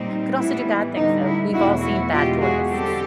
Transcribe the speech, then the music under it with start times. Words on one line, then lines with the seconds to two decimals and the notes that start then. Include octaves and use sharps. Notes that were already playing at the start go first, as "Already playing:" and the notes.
could also do bad things though. We've all seen bad tourists.
Already playing: A#2 G3 C4 D#4
0.37 A2 E3 G3 B3 E4
0.96 D2 D3 G3 D#4
1.25 E4
1.53 E2 B2 F#3 A3 E4 F#4
1.82 E4 F#4
2.11 E2 B2 G#3 F4 G4
2.41 F#4 G#4
2.69 F#2 D3 G3 C4 G4 A4